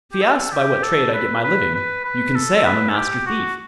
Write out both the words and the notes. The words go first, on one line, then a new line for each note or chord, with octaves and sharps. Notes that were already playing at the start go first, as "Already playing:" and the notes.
'If he asks by what trade I get my living, you can say I'm a Master Thief.'
G4
A4
G4
A4
B4
B4
B4
B4
A4
A4
B4
A4
G4
F#4